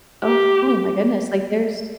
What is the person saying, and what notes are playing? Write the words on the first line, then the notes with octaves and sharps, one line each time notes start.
"Oh my goodness, like, there's"
G4